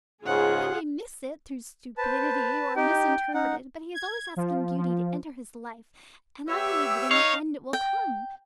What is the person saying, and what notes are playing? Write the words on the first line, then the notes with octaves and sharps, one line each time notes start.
He may miss it through stupidity, or misinterpret it, but he is always asking beauty to enter his life, and I believe that in the end it will come.
C#2 G#2 C#3 F4 G#4 F#5
B4 C5 A5
D#4 G4 G5
C#4 D#4 F#5
G#6
F3
F3
B3 G4 C#5 E5 E6
D#4 C#5 D#5 F5
G5